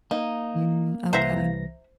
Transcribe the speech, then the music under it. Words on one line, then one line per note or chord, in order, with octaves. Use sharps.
Mm, okay.
A#3 D#4
C2 E3 C5 E5 F#5 A#5 A#6